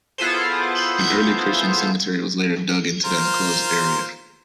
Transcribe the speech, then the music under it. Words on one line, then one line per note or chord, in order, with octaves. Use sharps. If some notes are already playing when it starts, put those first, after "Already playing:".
An early Christian cemetery was later dug into the enclosed area.
B3 E4 F4 G#4 A4 C5
F4 A#4 C5